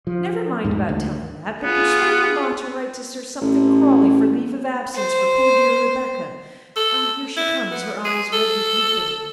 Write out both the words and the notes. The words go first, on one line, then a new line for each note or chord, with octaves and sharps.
"Never mind about telling that; but persuade Mamma to write to Sir Something Crawley for leave of absence for poor dear Rebecca: here she comes, her eyes red with weeping."
F3
E2 G#2
D2
B3 F4 G#4
A1
C5
A4
E4
B3
G#4
A4